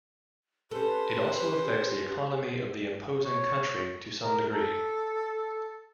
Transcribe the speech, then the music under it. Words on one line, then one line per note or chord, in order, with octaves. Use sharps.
It also affects the economy of the imposing country to some degree.
C#4 G4 A4 B4 C5
C#5
A#4
A4